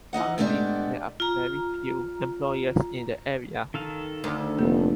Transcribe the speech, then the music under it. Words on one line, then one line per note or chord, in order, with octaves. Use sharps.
Currently there are very few employers in the area.
E3 D#4 D#5 F#5
A2 G#3 B3 D4 G4 D5
F4 A#5
D#3 A4 F5
D2
F1 A#3